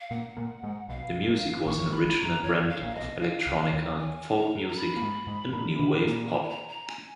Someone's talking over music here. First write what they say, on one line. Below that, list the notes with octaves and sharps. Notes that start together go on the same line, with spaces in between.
The music was an original brand of electronica, folk music, and new wave pop.
F5
A#2 A#3 F#5
A#2 A#3
G#2 G#3
B1 B2 F5
F#2
G#1 G#2
A#1 A#2 C#6
F#2
G#1 G#2
B5
G#1 G#2
A#5
F#2
F2 C#5
F#2
F5
A#1 A#2
F5
D#5
B1 B2
F5
C#2 C#3
D#2 D#3
G#5
A#5
A#5
B5
A#3
G#2 G#3
G#2 G#3
A#2 A#3
B2 B3
A#2 A#3
B5
G#5
A#5
A#5
G#5